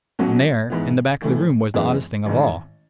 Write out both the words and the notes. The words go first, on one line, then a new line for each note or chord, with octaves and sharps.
And there in the back of the room was the oddest thing of all.
B1 B2 F#3 C#4
G#2 E3 B3
A1 A2 E3
F#2 E3 G#3 B3
A1 G#2 D#3